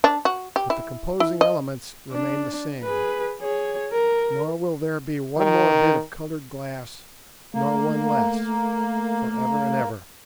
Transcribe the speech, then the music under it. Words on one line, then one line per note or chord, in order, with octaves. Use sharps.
But the composing elements remain the same, nor will there be one more bit of coloured glass nor one less for ever and ever.
D4
F#4
G4
E4
E4
D#5
D4
G#4 B4
G#4 C#5
A#4
D#3
A3 A#3